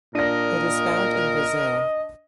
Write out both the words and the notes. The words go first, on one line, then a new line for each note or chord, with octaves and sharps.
It is found in Brazil.
A#2 D4 A#4 D#5 A#6